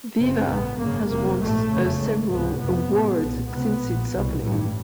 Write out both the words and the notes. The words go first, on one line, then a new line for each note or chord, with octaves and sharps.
Viva has won a several awards since its opening.
F#1 F#2 C#3 C4
A#1 G#2 B3
G#1 F#2 C#3 A#3
F1 E2 C3 A#3
A#1 G#2 A3
F1 E2 C#3
G#1 G#2
C#2 C3 B3
F1 F2 C3 B3
A1 G#2
B1
A#2
C#2 C3 B3
A#1 A#2
C2 B2
A1 G2